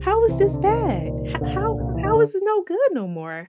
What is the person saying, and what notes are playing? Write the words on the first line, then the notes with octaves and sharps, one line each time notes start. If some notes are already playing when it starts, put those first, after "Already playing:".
how is this bad? H how how is this no good no more?
Already playing: C2
C2 C3 E3
D#3
D3
C2 C3 D#3
C2 A#2
C2 A#2 D3
C2 A#2
E3
D#3
D3